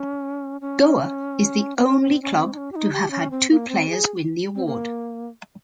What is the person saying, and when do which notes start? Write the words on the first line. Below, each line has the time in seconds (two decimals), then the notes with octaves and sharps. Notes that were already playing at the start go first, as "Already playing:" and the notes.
Goa is the only club to have had two players win the award.
Already playing: C#4
0.61 C#4
1.77 C4
1.88 C#4
2.01 C#4
2.06 C4
2.22 C#4
2.33 C#4
2.37 C4
2.53 D#4
2.57 C#4
2.72 G4
2.76 D#4
2.92 G4
3.11 C#4
3.31 C4
3.50 A#3
3.69 C4
3.89 G#4
4.55 C4
4.66 A#3